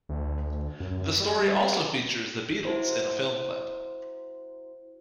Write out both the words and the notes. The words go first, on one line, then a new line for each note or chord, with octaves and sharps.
The story also features The Beatles in a film clip.
D2
F#2
G3
G3
E4 F#4 C5